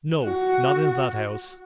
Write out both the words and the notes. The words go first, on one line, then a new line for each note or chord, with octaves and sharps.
'No! not in that house!
F#4